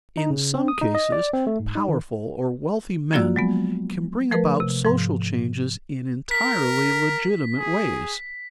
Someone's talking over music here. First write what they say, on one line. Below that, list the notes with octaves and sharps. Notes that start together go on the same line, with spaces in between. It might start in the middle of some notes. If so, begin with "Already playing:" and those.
In some cases powerful or wealthy men can bring about social changes in entirely legitimate ways.
D#4
C#3
C4
D#6
D#4
D#5
D5
C4
A3
G#2
D#4
D#3
F3 A#3 F4 F#4 D5 E6
F#3 G#3 B3
F3 A3 A#4 B4
C3
G#2 F3
A#4 B6
G#4